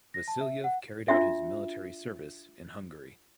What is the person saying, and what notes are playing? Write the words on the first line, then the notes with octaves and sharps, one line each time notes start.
Vasilyev carried out his military service in Hungary.
A#6
A5
E5
F#5
D4 F4 F#4 E5